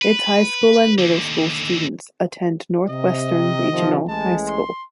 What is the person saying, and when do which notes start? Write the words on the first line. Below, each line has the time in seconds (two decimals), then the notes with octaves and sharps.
Its high school and middle school students attend Northwestern Regional High School.
0.02 B4
0.98 D#2 D3
2.90 C3 D#5
3.71 C3 D#3 F3
4.08 A1 G#3 A5
4.48 C6